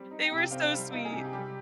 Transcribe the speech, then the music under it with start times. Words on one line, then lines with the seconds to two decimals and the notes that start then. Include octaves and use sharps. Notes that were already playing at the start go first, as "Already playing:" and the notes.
They were so sweet.
Already playing: G3 C4
0.11 D#4
0.25 G5
0.32 C3
0.38 G5
0.51 C4 F5
0.65 F5
0.72 G3
0.92 D#4 F4
1.05 G#4
1.13 C3
1.18 G4
1.33 G3 G4